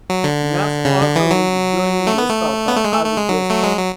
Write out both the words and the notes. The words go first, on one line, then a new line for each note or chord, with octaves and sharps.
Nas also will be joining the startup as a guest coach.
F#3
D3
C#3
D3
E3
F#3
A3
B3
A3
B3
A3
G#3
A3
A3
G#3
F#3
A3
G#3
F#3